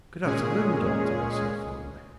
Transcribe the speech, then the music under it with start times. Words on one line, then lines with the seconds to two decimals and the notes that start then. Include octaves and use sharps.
"Good afternoon, Doctor," I said formally.
0.23 A#2 G#3 C#4 G#4